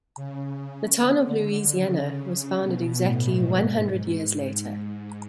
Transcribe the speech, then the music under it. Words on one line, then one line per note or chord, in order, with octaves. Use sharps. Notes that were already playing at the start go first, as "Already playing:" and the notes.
The town in Louisiana was founded exactly one hundred years later.
C#3
D3
C#3
B2
A2
G#2